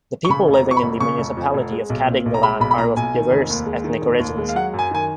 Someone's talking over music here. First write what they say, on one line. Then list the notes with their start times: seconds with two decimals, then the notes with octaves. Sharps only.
The people living in the municipality of Kadingilan are of diverse ethnic origins.
0.25 C#6
0.29 C#3 B5
0.48 F1
0.54 A#5
0.65 F2
0.71 C#6
0.77 B5
0.83 F1
1.00 C#3 C#6
1.18 F1
1.37 F2
1.54 F1
1.72 G#3
1.90 B1
2.07 A#2
2.26 B1
2.34 A#5
2.43 G#3 B5
2.60 B1 B5
2.71 B5
2.78 A#2 A#5
2.97 B1 G#5
3.14 D#3
3.31 F1
3.50 D#2
3.66 G#3
3.84 D#3
4.02 F1
4.20 D#2
4.38 G#3
4.49 F5
4.55 F#3 F#5
4.74 F#2
4.79 G#5
4.91 D#3 G#5